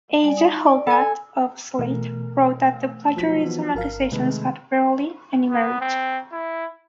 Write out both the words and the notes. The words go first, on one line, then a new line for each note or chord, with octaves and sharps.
Aja Hoggatt of "Slate" wrote that the plagiarism accusations had "barely" any merit.
G3 D5 G#5
D#4 A5
D5
A4 G#5
B2 E3 A3 A#4
F3 F#3 B6
E3 B3
G1 A#4 F5
C3 D#3 G#3 A3 B4
B3
C4
E4